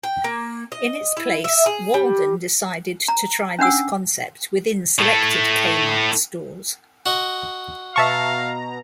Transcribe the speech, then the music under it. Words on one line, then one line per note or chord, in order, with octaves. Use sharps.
In its place, Walden decided to try this concept within selected Kmart stores.
G5
A#3
D#5
E4
E5
G#4
G3
A#5
C#4 D4 F#5 E6
A2 A3
F#4 D#5
B2 E5 F5 A5 A#5 C#6